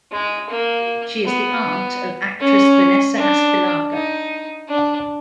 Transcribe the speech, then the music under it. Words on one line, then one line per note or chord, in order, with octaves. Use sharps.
She is the aunt of actress Vanessa Aspillaga.
G#3
A#3
B3
C#4
D4
D#4
D4